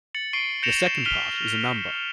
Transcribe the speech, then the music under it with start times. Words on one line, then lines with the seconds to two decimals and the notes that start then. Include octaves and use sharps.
The second part is a number.
0.15 A6 C#7 F#7
0.33 C#6 C7 D7 D#7 G7
0.63 G6 A#6 C#7 D7 E7 F7
1.05 F6 B6 D#7 F7 G7